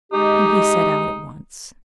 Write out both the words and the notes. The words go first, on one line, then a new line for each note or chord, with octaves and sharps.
And he set out at once.
G#3 D#4 G4